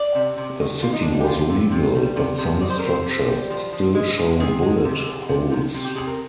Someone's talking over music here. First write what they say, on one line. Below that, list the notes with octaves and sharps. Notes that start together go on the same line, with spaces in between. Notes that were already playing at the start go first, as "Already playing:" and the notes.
The city was rebuilt but some structures still show bullet holes.
Already playing: D5
C3
C3
D#3
C3 F4
D#4
G3 D4
D#4
G4
G3 F4
C3
C3
G3
C3
C3
D#3 D5
C5
A#4
C3 C5
C3
G3
F3
F3
G#3
F3
C3 G#4
G#3
C3
F3
C3
C3
C3
G4
C3 G#4
A#4